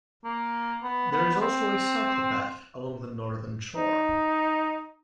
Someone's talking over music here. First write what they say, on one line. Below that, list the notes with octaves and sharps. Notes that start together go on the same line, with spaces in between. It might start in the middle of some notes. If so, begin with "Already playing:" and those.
There is also a cycle path along the northern shore.
A#3
B3
B3
B3
C4
D#4